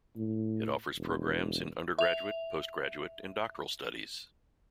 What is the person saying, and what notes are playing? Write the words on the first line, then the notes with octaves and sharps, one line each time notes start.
It offers programmes in undergraduate, post-graduate, and doctoral studies.
A2
E1
E5 F7